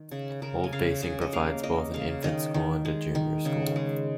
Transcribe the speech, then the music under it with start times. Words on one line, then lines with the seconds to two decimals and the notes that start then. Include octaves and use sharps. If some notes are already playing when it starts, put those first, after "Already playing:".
Old Basing provides both an infant school and a junior school.
Already playing: D#3
0.11 C#3
0.42 C#3 A#4
0.64 G#5
0.73 C#3 F5
1.03 C#3 G#5
1.21 D#5
1.33 A#3 F5
1.63 A#3 D#5
1.94 C#3 F5
2.24 D#3 D#5
2.54 D#3
2.85 G#3
3.15 D#3
3.45 C#3
3.76 G#3